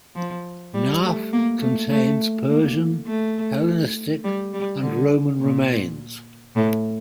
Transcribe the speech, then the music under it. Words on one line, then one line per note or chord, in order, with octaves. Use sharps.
Nahf contains Persian, Hellenistic and Roman remains.
F3
G3
A3
A#3
A3
A3
A#3
A3
G3
G3
D3
A#2
A2